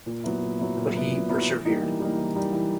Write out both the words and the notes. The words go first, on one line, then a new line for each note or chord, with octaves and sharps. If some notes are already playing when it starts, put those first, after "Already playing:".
But he persevered.
A#2
F#3 B3 E4
A#2
F#3 B3 E4
A#2
F#3 B3 E4
A#2
F#3 B3 E4
E3
G3 A#3 D#4
E3
G3 A#3 D#4
E3
G3 A#3 D#4
E3